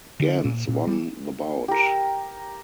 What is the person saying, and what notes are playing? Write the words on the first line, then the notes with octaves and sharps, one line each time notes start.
Gans won the bout.
D3
A#2
A#2
G3
G4 A#4